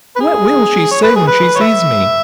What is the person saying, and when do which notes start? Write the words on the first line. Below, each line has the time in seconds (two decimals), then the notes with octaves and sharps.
What will she say when she sees me?
0.16 B4
0.20 G#4
0.91 C#5
1.03 B4
1.16 G#4
1.27 B4
1.56 C#5
1.61 E5